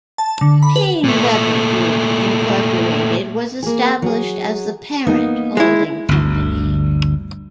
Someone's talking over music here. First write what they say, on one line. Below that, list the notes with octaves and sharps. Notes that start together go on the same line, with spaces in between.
PaineWebber Group Incorporated was established as the parent holding company.
A5
D3
B5
B4
A#2 A3
A#3 G#4
F#3 G#4
A#3 B3 D#4
G#3 E4
G1 D2